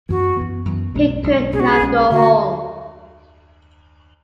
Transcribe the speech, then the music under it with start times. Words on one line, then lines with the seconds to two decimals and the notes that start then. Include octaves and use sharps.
He could not go home.
0.09 F#2 E3 B3 F#4
0.37 F#2 E3 B3
0.65 F#2 E3 B3
0.94 B1 B2 G#3 C#4
1.23 B1 B2 G#3 C#4
1.52 B1 B2 G#3 C#4 G#4
1.59 F#4
1.68 G#4
1.81 B1 B2 G#3 C#4
2.10 D3 A3 F#4